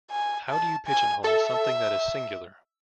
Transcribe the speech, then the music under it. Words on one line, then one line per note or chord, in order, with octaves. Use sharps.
How do you pigeonhole something that is singular?
G#5
A5
G#5
A4 E5